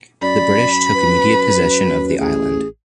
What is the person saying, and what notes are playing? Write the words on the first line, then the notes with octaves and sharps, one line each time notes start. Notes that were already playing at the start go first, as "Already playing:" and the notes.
The British took immediate possession of the island.
F#2 D5 B5
B4
A1 G#4